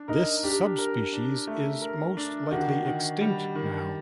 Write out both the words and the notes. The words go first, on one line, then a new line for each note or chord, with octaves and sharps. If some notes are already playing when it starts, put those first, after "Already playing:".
This subspecies is most likely extinct now.
Already playing: D4
D#4 A#4
D4 G4
A#4
D4
A3
A#4
D4
D#3 F#4
D#3
G3
D#3